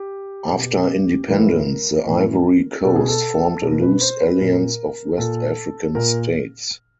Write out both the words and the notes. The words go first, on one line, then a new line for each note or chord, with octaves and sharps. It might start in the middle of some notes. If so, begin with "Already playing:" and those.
After independence, the Ivory Coast formed a loose alliance of West African states.
Already playing: G4
B2
A2 E3 A#4
A2 E3
B2 A4
G#4
A4
B2 A#4
B4
C5
B4
A#2 A#4
A#2 A4
A#2 A#4